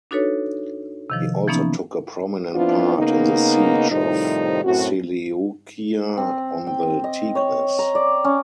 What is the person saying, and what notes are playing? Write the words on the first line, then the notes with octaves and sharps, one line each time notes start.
He also took a prominent part in the siege of Seleucia on the Tigris.
D4 D#4 F#4 A4 B4 C#5
C3 D#3 F3
E3 F3 A#3 B3 C#4 D#4
F3 B3 C4 D4 E4 F4
C#3 A#3 B3 D#4
A2 C3 D#3 F3 G3 D#4
F#2 A2 C4 F#4
C4
G5
D#5
C#5
A#5
D5
C#4